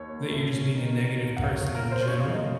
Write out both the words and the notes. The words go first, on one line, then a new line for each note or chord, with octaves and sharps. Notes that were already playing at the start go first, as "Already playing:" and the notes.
that you're just being a negative person in general,
Already playing: D#2 C#5
A#3
A2
C#4
D#3
D#3
A#3
F#5
F#1 F5
C#5
F#1
A#4
F#1
C5
C5
C#3 C#5
F5
F#2 D#5